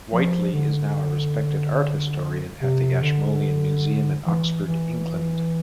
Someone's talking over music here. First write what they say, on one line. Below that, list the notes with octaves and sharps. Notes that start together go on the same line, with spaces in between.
Whiteley is now a respected art historian at the Ashmolean Museum in Oxford, England.
F3
D3
C3
D3
E3
E3